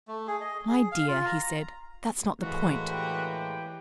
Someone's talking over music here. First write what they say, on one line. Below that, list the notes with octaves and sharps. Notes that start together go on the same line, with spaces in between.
'My dear,' he said, 'that's not the point.
A3
G#4
D#5
G#4
F5
F4
A#5
A2 E3 G#3 A#3 F#4
G4 B4 G5